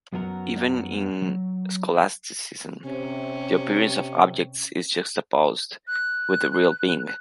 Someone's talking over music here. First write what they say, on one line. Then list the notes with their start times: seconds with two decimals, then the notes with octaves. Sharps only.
Even in scholasticism, the appearance of objects is juxtaposed with real being.
0.13 F#2 F#3 B3 F#4 A#4 A#5
1.22 F#3
2.84 C3 C#4
5.87 F#6